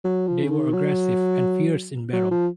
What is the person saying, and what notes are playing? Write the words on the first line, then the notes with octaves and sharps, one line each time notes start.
They were aggressive, and fierce in battle.
F#3
F3
C#3
D#3
F#3
F#3
F3